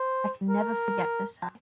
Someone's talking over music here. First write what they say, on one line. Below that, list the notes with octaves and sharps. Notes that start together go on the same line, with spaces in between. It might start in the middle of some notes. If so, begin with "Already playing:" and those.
I can never forget the sight.
Already playing: C5
A#4